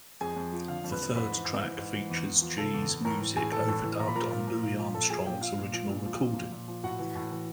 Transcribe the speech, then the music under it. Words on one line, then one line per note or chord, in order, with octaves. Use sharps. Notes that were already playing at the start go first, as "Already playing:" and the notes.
The third track features G's music overdubbed on Louis Armstrong's original recording.
F2 G#4 G#5
F2
F3
D3 F5
F2
B4 B5
F2
G#2 B4 B5
E3
G#2
E3
G#2
E3
E2
E2
F3
C#3 A4 A5
E2
E2
A2 A#4 A#5
E3
A2 G#4 G#5
E3 A4 A5
A2
E3
A#2 A#5
B5
F3 A#4 A#5
A#2
F3
A#2
F3
A#2 A4 A5
F3 G#4 G#5
A#2 G4 G5
F3 F5
A#2
F3
A#2
F3
A#2
F3
A#2
F3
A2 F#4 F#5
E3
A2
E3